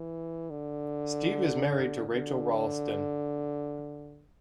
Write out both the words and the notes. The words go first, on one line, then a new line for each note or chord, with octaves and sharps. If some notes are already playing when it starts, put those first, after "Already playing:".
Steve is married to Rachel Ralston.
Already playing: E3
D3
D3